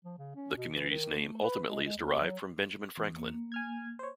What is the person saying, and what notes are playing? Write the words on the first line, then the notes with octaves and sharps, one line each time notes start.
The community's name ultimately is derived from Benjamin Franklin.
F3
C#3
C#4
B2
E3
D#3
A3
B4
G#3
G#3
D#2
F#3
E2
A#3
G#5 F6 G#6
C5 C#5